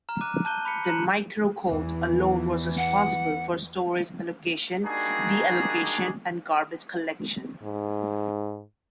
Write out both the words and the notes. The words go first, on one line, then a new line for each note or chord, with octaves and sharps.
The microcode alone was responsible for storage allocation, deallocation and garbage collection.
A#5 F6
D6 F#6 D#7
A5 F#6 G6 D#7 G7
B5 B6 C#7
A#5 F#6 C#7 D#7 F#7
E2 E3
F#5
G3 A#3 D4 D#4 F#4 G#4
G#2